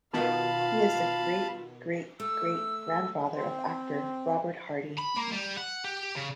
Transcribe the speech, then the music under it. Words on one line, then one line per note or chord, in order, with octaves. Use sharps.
He is the great-great-great grandfather of actor Robert Hardy.
B2 D#3 B3 F4 F5 A5 B5
A3 E6
C4
B5
A#3
G3
F#5
G4
C#3